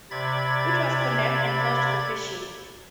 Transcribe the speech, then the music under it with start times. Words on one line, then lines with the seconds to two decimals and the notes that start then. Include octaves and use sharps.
It was condemned and closed for fishing.
0.11 C3 D5 B5 G#6 A6